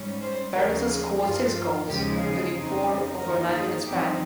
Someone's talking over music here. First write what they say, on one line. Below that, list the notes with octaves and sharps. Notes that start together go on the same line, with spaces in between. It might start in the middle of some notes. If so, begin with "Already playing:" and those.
Berenson scored six goals, including four over a nine-minute span.
Already playing: G#2 G3 C#4
C5
D#2 C#3 F3 A#3 A#4
G#4
G2 F3 A#3 F4
F4
D#2 C#3 F3 G#3 D#4 G4
G#4
F2 C#3 F3 C4 D#4
G2 D#3 A#3 D#4 A#4
G#4
G2 F3 C4 D#4 G4